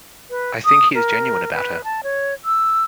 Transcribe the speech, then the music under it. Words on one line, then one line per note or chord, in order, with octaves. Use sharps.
I think he is genuine about her.
B4
D#6
A#4
B4
A5
C#5
E6